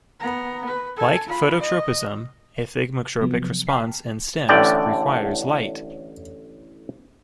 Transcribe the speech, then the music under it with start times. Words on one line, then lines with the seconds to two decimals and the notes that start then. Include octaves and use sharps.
Like phototropism, a thigmotropic response in stems requires light.
0.20 B3 A#5
0.65 B4
0.96 A4 G#5
1.27 F4 B5
1.59 D#5
3.21 C3 F3 F#3 B3
3.67 G5 A5 A#5 F6 B6 C7
4.49 A1 A2 D3 D5 G5